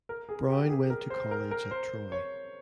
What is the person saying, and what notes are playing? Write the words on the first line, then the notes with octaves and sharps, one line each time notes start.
Brown went to college at Troy.
A#4
G#4
G4
G#4
A#4
C5
A#4
A#4
C5
C#5